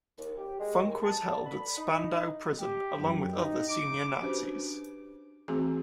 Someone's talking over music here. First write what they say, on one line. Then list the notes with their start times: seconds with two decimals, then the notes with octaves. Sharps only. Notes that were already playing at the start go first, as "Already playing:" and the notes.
Funk was held at Spandau Prison along with other senior Nazis.
0.18 D#2
0.38 G4
0.60 G#3
0.81 D#2
1.02 A5
1.30 D3
1.46 B5
1.77 D#4
2.60 G4
2.97 F#2
3.34 D#4
3.69 D6
4.21 C#4 D4 F#4 G4 B4 C5
5.48 E3 A3 C4 F#4 G#4 A#5